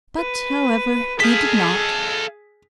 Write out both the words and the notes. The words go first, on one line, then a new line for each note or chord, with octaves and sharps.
But, however, he did not.
B4
G#4 A4 F5 B6